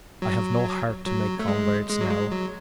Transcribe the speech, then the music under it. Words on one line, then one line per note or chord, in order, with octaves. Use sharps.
I have no heart to make converts now....
F#3
F#3
A3
G#3
G#3
F#3
G#3
F#3